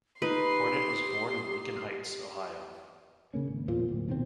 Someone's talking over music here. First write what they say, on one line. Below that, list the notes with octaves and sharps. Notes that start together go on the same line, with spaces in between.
Cornett was born in Lincoln Heights, Ohio.
D#4 G4 B4 C6
C#3 A#3 C#4
G#1
E2 A#2 F3
D1
B2 D#3 G#3 C4